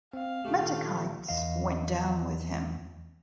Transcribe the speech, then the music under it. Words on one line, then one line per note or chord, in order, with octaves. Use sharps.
Metochites went down with him.
C4 F5
C#2 A#2 D#3 A3 F4 G4
E2 D#5 F5